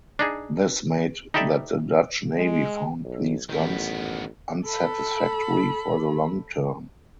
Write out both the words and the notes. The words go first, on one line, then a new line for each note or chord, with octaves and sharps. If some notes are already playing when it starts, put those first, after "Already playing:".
This made that the Dutch Navy found these guns unsatisfactory for the long term.
D4 D#4 G#4
D#4 E4 G4 A4 D5 E5
G#3
B1
A1 D#3 B3
A4 B5